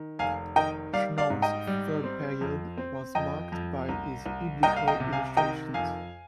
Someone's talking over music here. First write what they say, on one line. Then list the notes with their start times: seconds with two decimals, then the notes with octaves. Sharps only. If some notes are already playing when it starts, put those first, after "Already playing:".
Schnorr's third period was marked by his Biblical illustrations.
Already playing: D#3
0.19 F1 F5 G#5
0.56 D#3 D#5 G5
0.93 G3 D5 F5
1.18 D5 F5
1.30 G#2
1.42 D#5 G5
1.67 G3
2.04 C4
2.41 F2
2.77 C4
3.15 F2 D#5 G5
3.52 F2
3.89 C2
4.26 C2
4.63 C2 D#5 G5
4.76 F5
4.88 D#5 G5
5.00 C3
5.12 F5 G#5
5.37 D#3 D#5 G5
5.74 F2 F5 G#5